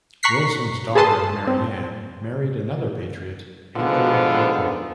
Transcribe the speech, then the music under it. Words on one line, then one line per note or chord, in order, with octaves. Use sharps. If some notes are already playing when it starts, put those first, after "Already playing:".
Wilson's daughter, Mary Ann, married another patriot, Andrew Wodrow.
A#5 C#6 F#6 B6 C7
G#4 A4 B4 A5 C6 D#6
C4
G#2 D3 F3 B3 F4